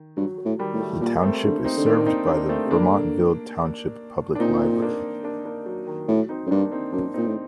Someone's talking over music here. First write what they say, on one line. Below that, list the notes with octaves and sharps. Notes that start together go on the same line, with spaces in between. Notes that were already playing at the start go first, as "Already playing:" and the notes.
The township is served by the Vermontville Township Public Library.
Already playing: D#3
G2 F#3
F#3
A2
D#3 G3
A2
F#3 A3
A#2 G3 A#3
A#3
A3 C4
D3
C4 D#4
D3
D#3 A#3 D4
C4 D#4
A#3 D4
A3 C4
C3
D3 A#3 D4
D4
A#2 C4 D#4
A#3 D4
A#3 D4
A#3 D4
F#3
D#3
A2 F#3
C4 D#4
F#2
G2 A#3 D4
C4 D#4
F#2 A#3 D4
A#2 C4 D#4
A2